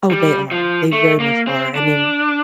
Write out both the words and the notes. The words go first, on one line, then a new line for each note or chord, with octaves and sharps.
Oh, they are. They very much are. I mean,
G3
F3
A3
A#3
C4
D4